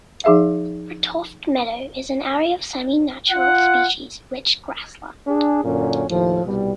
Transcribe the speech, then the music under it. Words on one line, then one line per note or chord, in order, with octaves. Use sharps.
Bratoft Meadow is an area of semi-natural species rich grassland.
F3 D#4 G#4 E5 F5
F4 F#5
D4 G#4
F#2 A#2 D3 C#4
D#2 A2 F3
C2 B2 G3